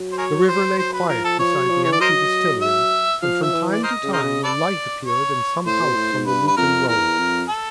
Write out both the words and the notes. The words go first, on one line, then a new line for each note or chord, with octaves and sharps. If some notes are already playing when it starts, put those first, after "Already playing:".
The river lay quiet beside the empty distillery and from time to time a light appeared in some house on the Lucan road.
Already playing: F#3
C5
G#4 A#4 C#5
C5
F#3 C5
B4
F3 A#4
A4
F3 C#5
F#3
F3
E3 C#5
D5
F#3 A#4 C5 D#5
E5
F3 F5
E5
E3
D5
A#4 C5 D#5
C#3
A#4 C5 D#5
C#3
A4 B4 D5
C#5
A2 C5
B2
A2
G#2
G2 B4
B4
F2 A#4
E2 A#4
F2
A4